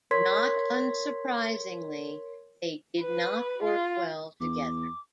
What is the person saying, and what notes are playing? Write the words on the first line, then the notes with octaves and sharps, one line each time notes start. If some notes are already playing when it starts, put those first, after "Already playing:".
Not unsurprisingly, they did not work well together.
A#4 C#5 C6 G#6 B6
B4
F4
E2 D6